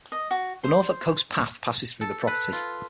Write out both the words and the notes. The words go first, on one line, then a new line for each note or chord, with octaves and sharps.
The Norfolk Coast Path passes through the property.
D#5
F#4
C5
A4
B4
F4